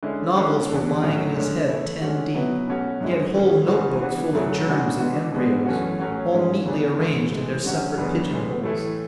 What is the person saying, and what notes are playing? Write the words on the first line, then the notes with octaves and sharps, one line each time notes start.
Novels were lying in his head ten deep. He had whole note-books full of germs and embryos, all neatly arranged in their separate pigeon-holes.
D3 G#3 C#4 E4
D3 G#3 C#4
E2 D3 A3
A2 F#3 C#4 E4
D3 G#3 C#4
E3 A3 E4
D3 G#3 C#4 F#4
B2 F#3 B3 E4
B2 A3 C#4 F#4
F#2 D3 G#3 C#4 E4
A2 E3 A3 C#4
C#3 E3 G#3 C#4 F#4
E3 B3 D4 F#4
F#2 C#3 F#3 A3 E4
C#3 G#3 D4 F#4
E3 G#3 D4 F#4
B2 G#3 B3 D4
F#2 E3 A3 C#4 F#4
A2 F#3 C#4 F#4
G#2 E3 G#3 C#4 E4
E2 C#3 E3 B3 D4
G#2 E3 A3 E4
A2 E3 G#3
D3 F#3 C#4 F#4
F#2 C#3 E3 B3 D4
A2 E3 G#3
A2 E3 A3 E4